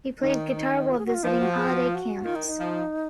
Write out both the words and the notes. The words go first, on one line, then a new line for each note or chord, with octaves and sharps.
He played guitar while visiting holiday camps.
D#3 D#4
F4
G#4
F#4
F4
F3 D#4
F4
F#4
G#4
F#4
F4
F#4
D#3 F4
D#4
D#4
F3